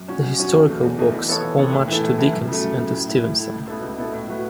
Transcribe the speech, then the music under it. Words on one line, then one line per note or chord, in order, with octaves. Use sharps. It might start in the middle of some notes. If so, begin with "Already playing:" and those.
The historical books owe much to Dickens and to Stevenson.
Already playing: F#2
F#3 C#4 F#4
F#2
F#3 C#4 F#4
E2
B2 A3
E2
B2 A3
E3
B3 A4 C#5
E3
B3 A4 C#5
A2
E3 A3 E4 A4
A2
E3 A3 E4 A4
F#2
C#3 F#3 A3
F#2
C#3 F#3 A3
A2
A3 E4
A2
A3 E4
C#2
B2 B3 E4 A4
C#2
B2 B3 E4 A4
A2
F#3 A3 F#4 B4